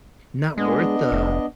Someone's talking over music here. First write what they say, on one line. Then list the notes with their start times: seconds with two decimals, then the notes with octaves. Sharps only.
not worth the
0.57 G#3 B3 D4 D#5
1.12 F1